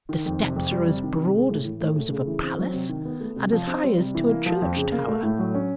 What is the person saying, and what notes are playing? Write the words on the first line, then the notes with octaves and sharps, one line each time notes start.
The steps are as broad as those of a palace, and as high as to a church tower.
D#3
F2
C3
F2
G3
C3
D#3
C3
G#3
A2
E3
A2
A3
C#3
E3
C4
F#3
C3
D#3
B3
A3
C3
F3
C4
G3
C3
E3
A#3
F3
F2
C#3
A#3
A3
A2
F#3
C#4